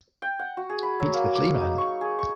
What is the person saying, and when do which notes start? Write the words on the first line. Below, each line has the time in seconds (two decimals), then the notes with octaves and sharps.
Meets the Flea Man.
0.22 G5
0.39 F#5
0.57 F#4
0.69 G#4
0.83 B5
1.00 F#3
1.13 A#3
1.35 D6
1.60 D#4
1.78 C#6
2.01 G#4
2.19 C#6